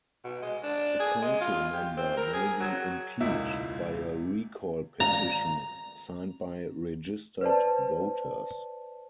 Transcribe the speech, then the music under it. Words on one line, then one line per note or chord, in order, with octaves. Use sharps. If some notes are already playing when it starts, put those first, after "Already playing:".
A councilmember may be impeached by a recall petition signed by registered voters.
B2
G#3
D4
G#4
G#3
F4
G4
C4
A#4
G#4
F#3
E1 C#2 A#2 D#4 E4
A#5
B4 C5 D5 A5